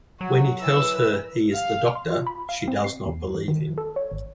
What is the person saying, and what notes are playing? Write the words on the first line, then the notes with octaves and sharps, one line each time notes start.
When he tells her he is the Doctor, she does not believe him.
F#3 F#4
E3 A#4 B4 E6
F5
C6
F4
B5
F5
C4
C7
E2
E3
D#3
A4
C#5
G#1